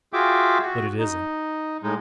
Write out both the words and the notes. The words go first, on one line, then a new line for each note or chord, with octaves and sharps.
But it isn't.
F4 F#4 G#4 E5 G5 D6
F#4
D#4
A2 G#3 D#4